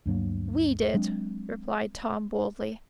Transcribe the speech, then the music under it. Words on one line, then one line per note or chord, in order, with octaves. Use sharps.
"We did," replied Tom boldly.
D2 G2 F#3 A#3
F#3 G#3 C4 D4